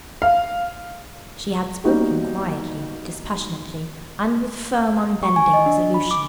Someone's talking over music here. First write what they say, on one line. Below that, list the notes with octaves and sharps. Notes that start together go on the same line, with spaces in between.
She had spoken quietly, dispassionately, and with firm, unbending resolution.
F5
G3 A#3 B3 D#4 F#4 G4
C#6
G#5
D#5
D4
B5
D6